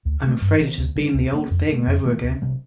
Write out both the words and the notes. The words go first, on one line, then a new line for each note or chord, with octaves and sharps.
I'm afraid it has been the old thing over again.
D2
D3 A3
G2
D#3 A3 C4
D2
D3 G3
D2
D3 G3 A#3
F2
D3 A3
F2
D#3 A3 D4
D2
C3 G3 D4